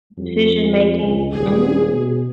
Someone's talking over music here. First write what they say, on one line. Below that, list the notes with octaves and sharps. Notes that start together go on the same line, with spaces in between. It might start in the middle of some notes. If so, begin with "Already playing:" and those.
Decision making, mhm.
F2
C#2
D#1 G#4
B2